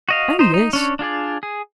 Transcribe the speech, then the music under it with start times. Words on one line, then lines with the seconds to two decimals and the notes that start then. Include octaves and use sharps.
"Oh, yes."
0.09 F#4 D#5 F5
0.39 D#4 C5
0.54 D#4
0.73 C#4 D4 C#5
0.99 D4 F4 G#4 D5
1.43 G#4